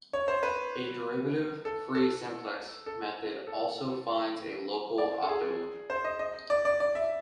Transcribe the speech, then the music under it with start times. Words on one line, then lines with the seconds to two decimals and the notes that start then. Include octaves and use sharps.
The derivative-free simplex method also finds a local optimum.
0.13 C#5
0.28 C5
0.43 B4
1.65 A4
1.95 A4
2.86 A4
3.47 A4
4.98 D5
5.23 A4
5.29 G#4
5.90 C5
6.04 D#5
6.19 D#5
6.50 D5
6.65 D5
6.80 D5
6.95 E5